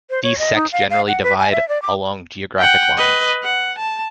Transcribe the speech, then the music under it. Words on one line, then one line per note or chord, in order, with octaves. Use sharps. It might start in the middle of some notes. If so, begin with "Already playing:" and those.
These sects generally divide along geographic lines.
C5
C#5
D#5
D#4
F5
F5
F#5
B4
G#5
E5
D5
D6
F#5 G5
B4 D#5
F#5
A5